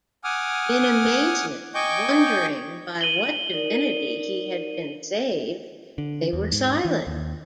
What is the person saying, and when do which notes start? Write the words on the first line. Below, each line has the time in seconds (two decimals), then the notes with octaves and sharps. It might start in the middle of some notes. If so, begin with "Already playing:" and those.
In amazement, wondering by what divinity he had been saved, they were silent.
0.24 F#5 G#5 D6 D#6 F6
1.75 D#5 G5 G#5 C#6 D6 G6
3.01 D#7 F#7 G7
3.54 D#4 A#4 D5
5.98 D3
6.33 E2
6.52 G#2
6.85 E3
7.07 D#2